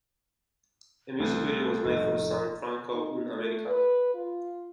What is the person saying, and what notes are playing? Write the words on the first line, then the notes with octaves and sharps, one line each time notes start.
A music video was made for the song, "Franco Un-American".
C2 A3 A4
F1 A2 D#4
D#4
A3
B4
F4